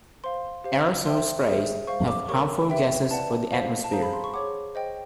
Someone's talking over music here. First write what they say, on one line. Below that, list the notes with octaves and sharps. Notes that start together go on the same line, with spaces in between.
Aerosol sprays have harmful gases for the atmosphere.
C5 F5 C6
G4 C5 F5
C5 E5 G5 C6
G#4 C5 E5
C5 F5 C#6
D6
G4 A#4 C#5 C#6
G4 B4 E5 G5
B4 D5 F#5 A5
C5 F5
A5
G#4 C5 F5 A#5
B5
C6
C#6
G#4 C#5 F#5 D6
C5 D#5 G5